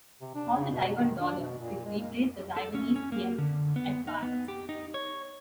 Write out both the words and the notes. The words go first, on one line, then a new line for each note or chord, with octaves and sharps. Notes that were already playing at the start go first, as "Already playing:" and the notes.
Called the "Taiwan dollar", it replaced the Taiwanese yen at par.
C3
D4
C#3
B2
D#3
D4
B2
A#2
G#3
A#3
A4
C#4
C#4
A#3
D3
B3
D#4
B3
G4
D#4
C#5